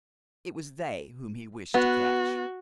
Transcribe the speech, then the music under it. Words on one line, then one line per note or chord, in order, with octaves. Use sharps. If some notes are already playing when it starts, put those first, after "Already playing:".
It was they whom he wished to catch.
B3 F#4